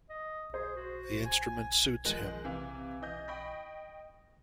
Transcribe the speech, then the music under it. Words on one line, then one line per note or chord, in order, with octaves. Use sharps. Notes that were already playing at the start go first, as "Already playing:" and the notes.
The instrument suits him.
D#5
G#4 C5
F#4
G#5
D#3 F3 G#3 F#6 F#7
C3 E3 F5
E3 D#5 G6
D#5 G5 B5 C#6 A#6